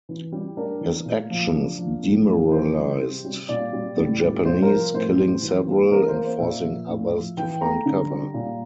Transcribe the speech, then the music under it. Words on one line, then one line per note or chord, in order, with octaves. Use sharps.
His actions demoralised the Japanese, killing several and forcing others to find cover.
E3
G3
D4 A#4
E3
A#2
F3
D4
F3
A2
F3
E3 C5
G3
C3
G3
A#2 D5
G3
A2
G3
C3 C5
A#4
F3
A2 C5
G3
E3
A#3
E3 A#4
C5
A#3
C5
A#2 E5
F3
A2
F3
E3 G5
A3 A#5
D3
G3
A#2